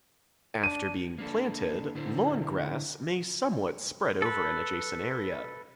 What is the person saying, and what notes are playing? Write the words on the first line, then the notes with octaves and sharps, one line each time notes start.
After being planted, lawn grass may somewhat spread over an adjacent area.
D4 D#7
A#3 D4 A4
D3 D4 E4 C5
A4 B4